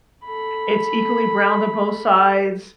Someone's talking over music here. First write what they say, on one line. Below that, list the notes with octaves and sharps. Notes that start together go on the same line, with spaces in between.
it's equally browned on both sides
A4 B5